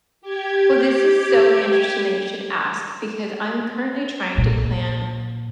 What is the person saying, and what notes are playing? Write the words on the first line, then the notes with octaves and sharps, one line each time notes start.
Well, this is so interesting that you should ask, because I'm currently trying to plan
G4 G#6
A#2